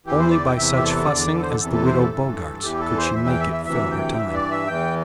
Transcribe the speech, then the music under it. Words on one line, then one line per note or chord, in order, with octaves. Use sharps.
Only by such fussing as the Widow Bogart's could she make it fill her time.
E2 E3 G4
C5
D5
G5
E2 C3 E3 E5
G4
A4
E2 D3 D5
A4
C5
A4
E2 C3 E3 A4
A4
C5
A4
G2 E3
E2 E3 G4
A4
C5
E2 E3 E5
G5
E5
E5
D2 C3 E3 E5
G5
G2 E3 E5
D5
E5
E2 E3 G5